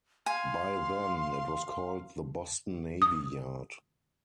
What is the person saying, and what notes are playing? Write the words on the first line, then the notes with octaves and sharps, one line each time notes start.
By then, it was called the Boston Navy Yard.
F5 G#5 C6
D#6